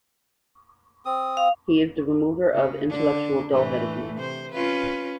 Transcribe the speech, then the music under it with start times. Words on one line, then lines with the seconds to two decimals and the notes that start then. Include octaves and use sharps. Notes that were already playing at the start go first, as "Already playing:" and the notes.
He is the remover of intellectual dull-headedness.
1.05 C4 D#6
1.37 F5
2.53 C#3
2.90 D3 D4
3.50 A2 E3 A3
4.16 C3 C5
4.52 C#4 F4 B4